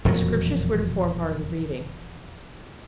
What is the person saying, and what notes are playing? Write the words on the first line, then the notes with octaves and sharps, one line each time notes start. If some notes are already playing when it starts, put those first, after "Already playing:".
The Scriptures were to form part of the reading.
E1 F2 A#2 F#3